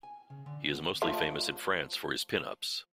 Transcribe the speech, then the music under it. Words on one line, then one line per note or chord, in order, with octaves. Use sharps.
He is mostly famous in France for his pin ups.
G#5
C#3
D3
B3
F3 A3